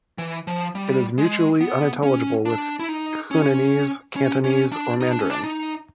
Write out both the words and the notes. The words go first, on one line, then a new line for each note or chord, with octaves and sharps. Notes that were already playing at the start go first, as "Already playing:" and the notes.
It is mutually unintelligible with Hunanese, Cantonese, or Mandarin.
E3
F3
G3
G#3
B3
C#4
D4
E4
D#4
C#4
C#4
C#4
D4
D#4
D4
C#4
D4
D#4